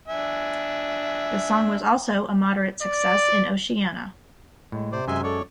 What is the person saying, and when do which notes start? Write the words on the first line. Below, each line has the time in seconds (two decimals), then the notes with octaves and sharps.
The song was also a moderate success in Oceania.
0.08 D4 E5 G#5
2.83 D5
4.72 A2 G#3
4.92 C3 C5 D5
5.08 F#2 G#3 E5 G#5 C6
5.24 A4 C#5 D5 C#6